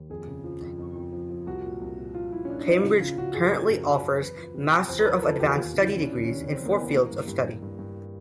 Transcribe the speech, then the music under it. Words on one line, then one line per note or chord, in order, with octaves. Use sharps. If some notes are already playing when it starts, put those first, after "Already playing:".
Cambridge currently offers master of advanced study degrees in four fields of study.
Already playing: D#2
F2 G#4
C#3
F3
F2
F2
F2
F3
F3
C2 F#4
A#2
C2
A#2
F3 F4
C2 E4
C#4
A#2 D4
D4
F3 D#4
F4
C#3 E4
C#3 F4
C#3 F#4
F#2 G#4
F#2 A#4
F#2
F#2
F#2
C5
E2 B4
F3
C3
F3
E2 C5
B4
F3 A#4
F3 A4
E2 G4
D#2 F4
C#3
E4
D#2
C#4
D4
D#2
D#2 C#4
C#3
C4
D#2
A#3
B3
E3
E3 A#3
G2
G2
G2
G2
G2